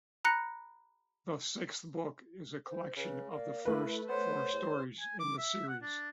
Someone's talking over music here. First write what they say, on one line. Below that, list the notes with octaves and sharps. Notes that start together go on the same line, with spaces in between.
The sixth book is the collection of the first four stories in the series.
A#5 B5 F#6 A#6 C#7
C5
C#3 B4
A#3 D5
A3 E4 B4
B3 C5 C#5
E2
G#5
D6
E5
F#5
D4